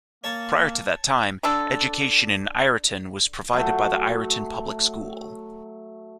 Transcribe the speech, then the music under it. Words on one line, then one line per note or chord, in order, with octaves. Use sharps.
Prior to that time, education in Ireton was provided by the Ireton Public School.
A#3 C#5 A5
D3 D4 A4
F#3 A3